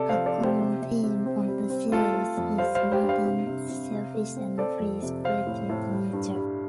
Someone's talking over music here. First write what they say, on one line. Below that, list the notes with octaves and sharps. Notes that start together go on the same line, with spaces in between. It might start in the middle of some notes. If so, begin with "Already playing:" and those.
A common theme of the series is Martin's selfish and free-spirited nature.
Already playing: C3 A4 D5
C5 F5
F3
A4 D5
C3
G4 C5
C3
C3
C3
C4
G3
C4
A3 F4 A4
A3
F2
G3 C5 F5
C5 F5
G3
G4 C5
G2
C5 F5
C3
C3
C3
C3
A3
C4
C4 A4 D5
F2
C3
C4 C5 F5
A2
A2
G3
G2
G3